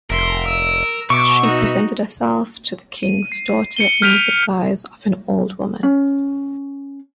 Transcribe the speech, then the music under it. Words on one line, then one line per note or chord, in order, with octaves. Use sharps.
She presented herself to the king's daughters in the guise of an old woman.
F1 A#4 E5 C6
E6
B2 E5 C#6 D6
D#4 F#4
D#7
C7
C#7 D#7 G7
F6 G6 B6 D7 D#7 F7
C#4